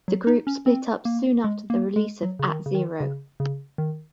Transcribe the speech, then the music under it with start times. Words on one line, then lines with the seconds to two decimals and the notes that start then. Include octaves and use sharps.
The group split up soon after the release of "At Zero".
0.08 F#3
0.27 D#4
0.47 C#4
0.66 C4
1.05 A#3
1.44 G#3
1.70 A#3
1.96 G#3
2.23 F#3
2.39 C#3
2.49 D#3
2.66 C#3
2.75 D#3
3.00 C#3
3.40 C#3
3.78 D#3